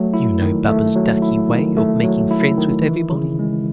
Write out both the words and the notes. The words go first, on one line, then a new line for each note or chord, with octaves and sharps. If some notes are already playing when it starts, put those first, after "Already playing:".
You know Baba's ducky way of making friends with everybody.
Already playing: F#3 A3
E4
D#3
A3
F#3
E4
D#3
A3
F#3
E4
D#3
E3
C#3
G#3